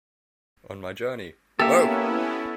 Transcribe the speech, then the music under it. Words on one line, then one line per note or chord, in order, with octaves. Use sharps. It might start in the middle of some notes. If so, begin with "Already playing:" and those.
On my journey - oh!
A#3 B3 C#4 E4 G4 A4 E5